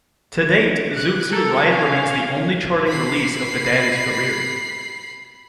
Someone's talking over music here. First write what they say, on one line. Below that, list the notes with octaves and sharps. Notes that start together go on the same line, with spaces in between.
To date, "Zoot Suit Riot" remains the only charting release of the Daddies' career.
F#6
A4 A#4
C#4 F5
B5 C7